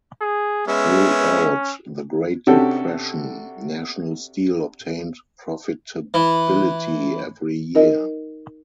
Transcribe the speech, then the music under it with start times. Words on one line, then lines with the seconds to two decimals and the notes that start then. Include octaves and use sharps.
Throughout the Great Depression, National Steel obtained profitability every year.
0.21 G#4
0.68 G#3 B3 C#4 E5
2.47 C3 C#4 D4 F#4 G4 A4
6.14 E3
7.75 D#4 A#4 D#5